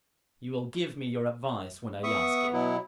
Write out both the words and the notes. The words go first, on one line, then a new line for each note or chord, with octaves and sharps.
You will give me your advice when I ask it.
B3 E5 C#6 D#6
B2 F#3 E4